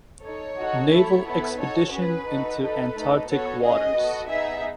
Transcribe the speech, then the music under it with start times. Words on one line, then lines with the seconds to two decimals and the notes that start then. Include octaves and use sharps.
Naval expedition into Antarctic waters.
0.23 D#4 A4 C#5
0.57 D#4 F#4 A4
0.90 A3 E4 A4
1.24 B3 E4 A4
1.58 D#4 F#4 A4 C#5
1.92 C#4 G#4 B4
2.26 D#4 F#4 A4
2.60 D#4 A4 B4
2.93 A3 D#4 A4
3.28 B3 F#4 A4 C#5
3.61 C#4 G#4 D#5
3.95 B3 F#4 A4
4.29 B3 D#4 G#4 E5